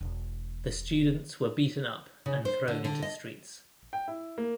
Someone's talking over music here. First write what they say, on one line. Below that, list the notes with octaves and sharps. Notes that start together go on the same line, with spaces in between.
The students were beaten up and thrown into the streets.
E1
C#3
C5
D3
D3
D#5
G5
E4
A#3